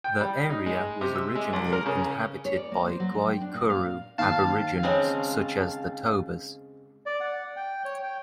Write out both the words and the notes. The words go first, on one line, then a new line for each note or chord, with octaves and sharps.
The area was originally inhabited by Guaycuru aboriginals such as the Tobas.
G5
G3
D#4
G#3
C3
E6
G#3
C2
A#4
C#3
C#5
D5
A#3
C5
F#3
D3
G5
D4
A#2
F5
D#2 F5 A5
C#3 G#3 C4
D5
F#5
G5
C#5
G5